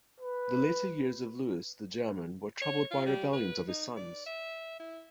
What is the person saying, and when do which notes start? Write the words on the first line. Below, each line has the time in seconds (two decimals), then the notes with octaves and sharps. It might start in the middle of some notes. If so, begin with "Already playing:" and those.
The later years of Louis the German were troubled by rebellions of his sons.
0.20 B4
2.61 C#5
2.91 F4
3.06 G3
3.33 B4
3.68 D#4
3.96 D5
4.26 E5
4.80 E4